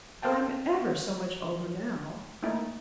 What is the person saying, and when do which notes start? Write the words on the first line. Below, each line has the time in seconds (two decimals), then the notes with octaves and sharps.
I'm ever so much older now....
0.22 A4 A#4 C5 F5 G5 A5
2.43 A3 A#3 D#4 E4